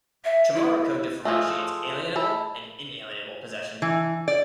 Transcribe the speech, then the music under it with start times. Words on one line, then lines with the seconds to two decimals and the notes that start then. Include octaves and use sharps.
Chimariko differentiates alienable and inalienable possession.
0.25 E5
0.54 E4
1.25 F3 G#3 A3
2.16 E4 A4
3.82 E3
4.28 D5